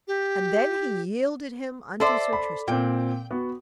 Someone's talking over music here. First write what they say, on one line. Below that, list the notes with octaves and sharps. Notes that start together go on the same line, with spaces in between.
And then he yielded him unto Sir Tristram.
G4
A4 C5 D5 E5
B5
A#2 C4 G5
B3 F#4